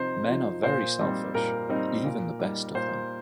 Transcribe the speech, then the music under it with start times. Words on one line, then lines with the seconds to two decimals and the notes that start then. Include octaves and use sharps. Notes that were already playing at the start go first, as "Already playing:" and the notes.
Men are very selfish, even the best of them.
Already playing: C3 F3 D#4 C5
0.28 F3 D#4
0.63 A#2 C5
0.99 G3 C4 D#4
1.34 A#2 A#4
1.69 G3 C4 D#4
2.05 A#2
2.39 G3 D#4
2.75 A#2 C5